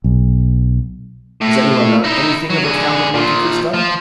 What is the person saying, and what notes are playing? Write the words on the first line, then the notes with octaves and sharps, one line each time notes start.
"Does any one know anything of a Count of Monte Cristo?"
B1
A2
D#4 E4
F#3
D3 G#4
A#2 F3
F3